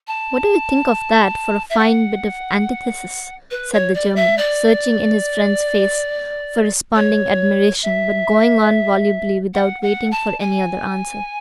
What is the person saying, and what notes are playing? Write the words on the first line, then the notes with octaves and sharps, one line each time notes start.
"What do you think of that for a fine bit of antithesis?" said the German, searching in his friend's face for responding admiration, but going on volubly without waiting for any other answer.
A5
E5
F#5
B4
C#5
D5
E5
D5
C#5
E5
F#5
F#5
A5
G#5